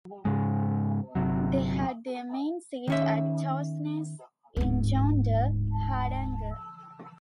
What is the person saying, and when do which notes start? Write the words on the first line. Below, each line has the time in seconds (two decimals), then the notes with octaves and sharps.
They had their main seat at Torsnes in Jondal, Hardanger.
0.25 G#2 C#3 G#3
1.15 G1 C3 F#3
2.88 D#3 C#4 E5
4.57 D1 G#2